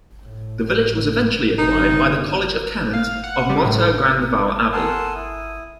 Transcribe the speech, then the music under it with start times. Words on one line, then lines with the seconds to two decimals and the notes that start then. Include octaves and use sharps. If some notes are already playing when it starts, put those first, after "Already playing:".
The village was eventually acquired by the college of canons of Moutier-Grandval Abbey.
0.22 A2
1.58 G1 C3 D#4
2.94 F5
3.24 F#5
3.49 G3
3.65 A2
4.72 A4 A#4 F#5 G#5 A5 C6
5.14 E4 D#6